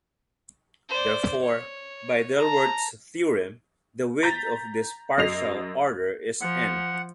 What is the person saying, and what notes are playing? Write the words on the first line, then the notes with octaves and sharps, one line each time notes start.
Therefore, by Dilworth's theorem, the width of this partial order is "n".
C5 D5
C#5
A5 A#5
A#5 G6 A6 B6
F#2 D#5 C7 F7
F3 F#5